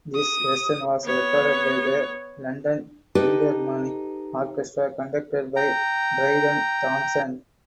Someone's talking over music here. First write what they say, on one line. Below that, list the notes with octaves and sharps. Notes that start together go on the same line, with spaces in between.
This version was recorded by the London Philharmonic Orchestra conducted by Bryden Thomson.
D#6
B3 C#5
D#4 G4 A4 B4 D#5
G5 A#5